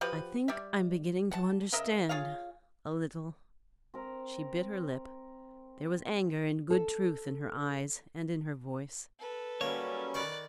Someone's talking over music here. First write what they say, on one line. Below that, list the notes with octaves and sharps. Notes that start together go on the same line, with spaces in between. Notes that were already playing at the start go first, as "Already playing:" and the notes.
"I think I'm beginning to understand--a little." She bit her lip; there was anger in good truth in her eyes and in her voice.
F3 F#4 G4 B4
G3 D5 E5
F#5 A5
C#3 A#4 D#5 E5
F4 G#4 C#5 F5
C4 A#4
A4
A4 B4
F#3 G3 A#3 C#4 C#5
D#3 D5 B5 C#6 F#6